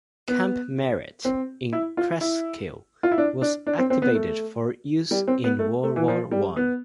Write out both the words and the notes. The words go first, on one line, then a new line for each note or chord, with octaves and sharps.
Camp Merritt, in Cresskill, was activated for use in World War One.
B3
C4
E4
F4
E4
F4
E4
D4
D4
D4
C4
C4
B3
A3
G3
C4
B3
A3
A3
E3
F3
G3
B3